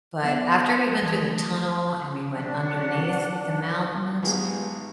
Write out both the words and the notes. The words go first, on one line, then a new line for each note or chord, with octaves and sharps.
but after we went through the tunnel and we went underneath the mountains,
F#3 B3 E5 E7
E3 F#3 A3 A5 D#6 G#6
F#3 D4 F#5
G#1 G#2 B3 F4 G4 G#4